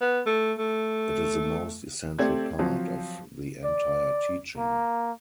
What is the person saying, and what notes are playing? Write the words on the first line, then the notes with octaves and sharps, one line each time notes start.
It is the most essential part of the entire teaching.
B3
A3
A3
A3 C4 G4 D5 G#6
F3 F#3 C4
D5
A#3